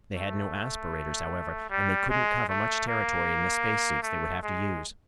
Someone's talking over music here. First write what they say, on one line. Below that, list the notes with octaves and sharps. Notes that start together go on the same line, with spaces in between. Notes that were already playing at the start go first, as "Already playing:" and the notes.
They had no aspirators, however, and they couldn't cover much territory in the spacesuits they would have to use.
A3
G3
G#3
A3
A#3
A3
G#3